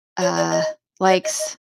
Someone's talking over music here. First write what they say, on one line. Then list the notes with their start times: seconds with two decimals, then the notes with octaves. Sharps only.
uh, likes
0.21 C#5
0.37 D5
0.51 D#5
1.09 D5
1.24 D#5
1.39 D#5